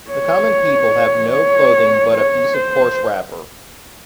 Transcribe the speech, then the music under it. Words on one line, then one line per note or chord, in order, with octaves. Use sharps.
The common people have no clothing but a piece of coarse wrapper.
C#5
C#5
C#5
C5